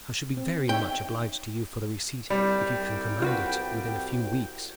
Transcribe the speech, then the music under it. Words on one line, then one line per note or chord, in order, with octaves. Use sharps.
I should be very much obliged to you for the receipt, if you can command it within a few weeks.'
C4
D#4 C#5 E5 G5
C2 G3 G5
F4 F#4 B4